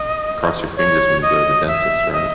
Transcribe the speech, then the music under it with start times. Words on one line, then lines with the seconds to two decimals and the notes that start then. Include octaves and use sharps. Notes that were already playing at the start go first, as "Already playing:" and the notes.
cross your fingers when you go to the dentist, right?
Already playing: D#5
0.77 C#5
1.22 D#5
1.67 E5
2.13 D#5